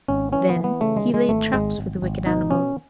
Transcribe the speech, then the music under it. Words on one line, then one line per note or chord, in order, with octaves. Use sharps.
Then he laid traps for the wicked animal.
G#1 C#4
E3 C#4
B3
E3
B3
C#3 A3
G#3
E3
G#3
G#1 A3
G#1 G#3
G#1
G#1
B2 D#4
B2 C#4